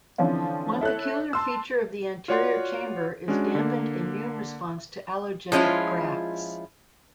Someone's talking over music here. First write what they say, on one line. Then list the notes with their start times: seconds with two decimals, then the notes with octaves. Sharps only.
One peculiar feature of the anterior chamber is dampened immune response to allogenic grafts.
0.18 D3 E3 F3 C4 C#4 F4
0.81 E4 A4 C#5 F#6
1.33 A5 C6 E6
2.28 F4 F#4 C#5 D5 F#5 C6
3.28 G#3 C#4 D4 F#4
3.55 D3 A#3
5.52 F3 G#3 C#4 E4 F4